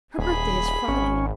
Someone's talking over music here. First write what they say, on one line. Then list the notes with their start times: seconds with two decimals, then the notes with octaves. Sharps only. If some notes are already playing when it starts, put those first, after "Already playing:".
Her birthday is Friday.
0.18 D#1 G#4 B5
0.88 G#1 C#4